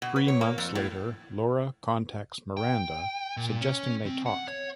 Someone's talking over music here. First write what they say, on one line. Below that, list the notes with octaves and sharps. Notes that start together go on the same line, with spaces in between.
Three months later, Laura contacts Miranda, suggesting they talk.
B2
B4
C#5
A#3
F2
A2
G5
A#2
C#4
C4
F#5
C#5